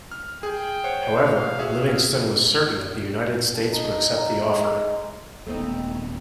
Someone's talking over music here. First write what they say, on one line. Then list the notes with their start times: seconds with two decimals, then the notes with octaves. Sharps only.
However, Livingston was certain that the United States would accept the offer.
0.11 F6
0.43 G#4 G5 G#5
0.84 C5 C#5 F#5
1.16 F5
1.59 F#4 G#4 E5
3.54 A5
3.72 D#4
4.17 A#5
4.47 G#3
5.46 D#1 A3 B3 C4 D#4